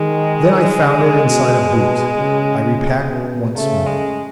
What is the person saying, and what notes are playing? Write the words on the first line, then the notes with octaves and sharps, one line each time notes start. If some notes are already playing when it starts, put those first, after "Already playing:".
Then I found it inside a boot. I repacked once more.
Already playing: D#3 G#3
C#3
B2
B2
C#3
C#3
B2
C#3 A3
G#3